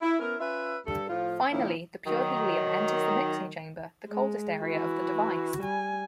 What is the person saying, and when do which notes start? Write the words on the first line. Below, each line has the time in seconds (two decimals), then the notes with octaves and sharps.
Finally, the pure He enters the mixing chamber, the coldest area of the device.
0.02 E4
0.20 B3 C#4 E4 A#4
0.40 C#4 F4 B4 E5
0.86 G2 A4
1.09 A2 F3 F4
1.51 A#2 D#3 F3 A#3 C#4 E4
2.07 D#3 F#3
4.10 G#3
4.63 E3 F#4
5.60 G3 G#5